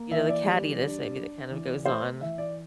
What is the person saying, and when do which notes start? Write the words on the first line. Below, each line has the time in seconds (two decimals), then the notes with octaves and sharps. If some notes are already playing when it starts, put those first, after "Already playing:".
you know, the cattiness, maybe, that kind of goes on.
Already playing: A#3
0.11 E3 E5
0.29 D5
0.46 G3
0.81 D4
1.16 D4
1.51 E3
1.85 A3 C5
2.21 E3 E5
2.38 D5